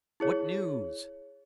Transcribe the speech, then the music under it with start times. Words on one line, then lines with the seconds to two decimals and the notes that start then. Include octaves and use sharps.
"What news?"
0.20 E4 G#4 C#5